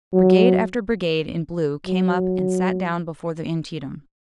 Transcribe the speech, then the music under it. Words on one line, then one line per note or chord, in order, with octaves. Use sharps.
Brigade after brigade in blue came up and sat down before the Antietam.
F#3
F#3